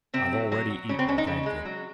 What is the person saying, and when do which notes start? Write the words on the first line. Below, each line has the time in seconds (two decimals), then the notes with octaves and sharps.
"I've already eaten, thank you."
0.14 C3 C4
0.33 F#3
0.52 F#3
0.70 F#3
0.89 C#3 C#4
0.99 C4
1.08 G#3 C#4
1.18 D#4
1.27 C#3
1.46 G#3
1.65 F#3